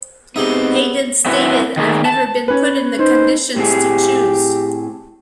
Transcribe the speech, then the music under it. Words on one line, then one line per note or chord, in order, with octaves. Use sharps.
Hayden stated I've never been put in the conditions to choose.
B3 C4 D#4 G4 G#4 E5
A3 C4 E4 F#4 B4
D#3 A#3 G#4
A5
C#4 B4
D#4 C5
A2 C4 G4 G#4